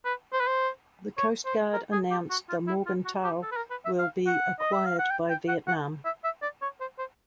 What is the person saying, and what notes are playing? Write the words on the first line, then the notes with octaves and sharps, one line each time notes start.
The Coast Guard announced the Morgenthau will be acquired by Vietnam.
B4
C5
B4
C5
C#5
C5
A#4
G#4
G4
F#4
F4
E4
F4
F#4
G4
A4
B4
A#4
B4
E5
F5
F#5
D#5
E5
F5
F#5
G5
G5
F#5
F#5
E5
E5
D5
C#5
C5
C5